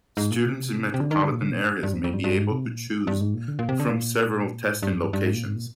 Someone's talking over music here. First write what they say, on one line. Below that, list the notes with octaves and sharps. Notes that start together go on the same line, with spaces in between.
Students in metropolitan areas may be able to choose from several testing locations.
G#2
A#2
C3
C3
D3
D#3
D3
A#2
D3
A#2
G#2
G2
F2
F2
G2
G2
G#2
C3
A#2
G2
G#2
A#2
D3
A#2
C3
D3
A#2
G#2
G2
F2
G2
G2
G#2
A#2
G#2
A#2